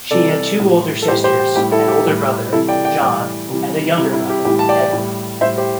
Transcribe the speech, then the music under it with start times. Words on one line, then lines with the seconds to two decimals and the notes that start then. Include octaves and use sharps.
She had two older sisters, an older brother, John, and a younger brother, Edward.
0.11 C3 E3 G3 A4 D5
0.60 A2 G3
1.02 A4
1.07 A2 E3 G3 G4 C5
1.24 G4 C5
1.39 G4
1.55 A2 G3 G4
1.71 E4 A4
1.88 G4
2.04 A2 G3
2.52 C3 E3 G3 E4 A4
2.69 D5 G5
2.85 D5 G5
3.01 A2 E3 G3
3.48 C3 E3 G3
3.97 C3 E4
4.01 G3
4.13 E4
4.30 G4
4.45 A2 E3 G3 G4
4.59 A5
4.69 D5 G5
4.93 A2 G3
5.41 A2 G3 C5 E5
5.58 G4 C5